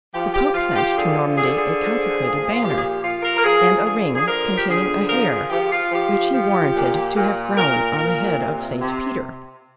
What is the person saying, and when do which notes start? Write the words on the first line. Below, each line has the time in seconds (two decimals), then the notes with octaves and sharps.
The Pope sent to Normandy a consecrated banner, and a ring containing a hair which he warranted to have grown on the head of Saint Peter.
0.14 F3 G4
0.34 G4
0.54 F3 F4
0.76 G4
0.95 D3 G#4
1.37 D3 G#4
1.58 G#4
1.79 F3
2.19 A#2
2.51 F4
2.61 F3 G4
2.77 G#4
2.82 G4
3.02 F3 F4
3.23 A#4
3.36 A#4
3.44 F3 G#4
3.85 D3 G#4
4.15 G#4
4.26 F3 A#4
4.57 G4
4.68 D3 G#4
5.08 F3 A#4
5.29 G#4
5.50 F3 G4
5.71 F4
5.91 F3 G4
6.32 F3
6.74 A#2
7.15 A#2
7.56 A#2 A#4
7.97 A#2 A#4
8.38 C3
8.80 C3